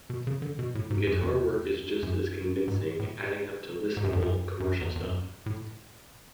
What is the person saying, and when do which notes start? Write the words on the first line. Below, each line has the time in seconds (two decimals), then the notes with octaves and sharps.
Guitar work is just as convincing, adding up to listenable, commercial stuff.
0.10 B2
0.27 C#3
0.42 D3
0.59 B2
0.75 A2
0.90 G#2
1.07 F#2
1.23 E2
2.03 F#2
2.68 G#2
2.99 A2
3.97 G#2
4.04 F#2
4.13 E2
4.22 F#2
4.60 F#2
4.81 E2
4.96 E2
5.03 F#2
5.46 A2